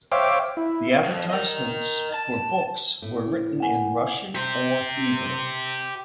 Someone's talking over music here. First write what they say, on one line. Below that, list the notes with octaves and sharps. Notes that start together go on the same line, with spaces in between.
The advertisements for books were written in Russian or Hebrew.
C5 C#5 E5 F5 G5 D6
E4
F2 F3
A#4 D#5
A5
A2
F#5 G#5
G4 C5